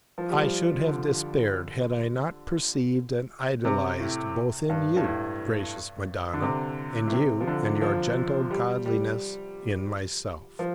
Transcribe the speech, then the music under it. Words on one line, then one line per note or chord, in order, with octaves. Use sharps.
I should have despaired, had I not perceived and idolized both in you, gracious Madonna, and you and your gentle godliness in myself.
F3
G3
F3
D3
C3
A2
G2
G2
A2
D3
C3
A2
C3
F3
D3
F3
G3
G3
F3